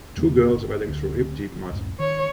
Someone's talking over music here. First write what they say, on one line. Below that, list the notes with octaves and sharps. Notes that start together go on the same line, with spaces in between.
Two girls wading through hip deep mud.
E2 G3 A#3
G1
D2
C#2 F#2 A2
D#3 C#5